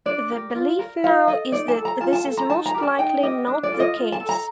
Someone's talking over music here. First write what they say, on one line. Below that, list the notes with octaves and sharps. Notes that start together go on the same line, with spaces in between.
The belief now is that this is most likely not the case.
D4 D5
G4 A#4
F4
A#4
F4 F5
A4 D#5
D#4 D5
A5
A4
A#5
F4 A5
A5
A4
A#5
D#4 A5
A#5
G4 A#4
A5
D#4 G5
G4 A#4 D#5
D4
D5
F4 A4
D#5
F4
A5
A4
A#5